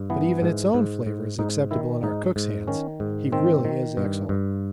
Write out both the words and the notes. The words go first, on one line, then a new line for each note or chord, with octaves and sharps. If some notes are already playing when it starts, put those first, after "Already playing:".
But even its own flavour is acceptable in our cook's hands--he really is excellent.
Already playing: G2
E3 B3
G#2
G#2
G#2
G#2 D#4
D#3 E4
G#2 D#4
G#2
D#3 C#4
G#2
D#3 C4
D#3
G2
G2